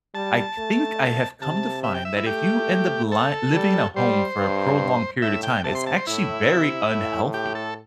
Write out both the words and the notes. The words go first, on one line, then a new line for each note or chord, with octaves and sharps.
I c think I have come to find that if you end up ly living in a home for a prolonged period of time, it's actually very unhealthy.
G3 A5
A3
C3 A5
E5
G5
E5
E4
A3 G4
A4
G3
G3 C5
G2
A2 E5
G5
C3 A5
C6
A5
C5
A2 E4
C3
A2
G4
A4